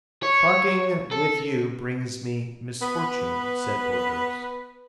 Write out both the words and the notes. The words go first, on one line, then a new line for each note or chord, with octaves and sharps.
"Talking with you brings me misfortune," said Porthos.
C#5
A4
B3 B4